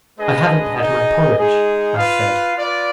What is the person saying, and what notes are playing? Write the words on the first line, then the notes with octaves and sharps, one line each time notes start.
"I haven't had my porridge," I said.
G#3 D4 G#4 B4 D#5
D#4 G#4 D#5
G#3 D#4 G#4
F4 B4 F5
F4 B4 D5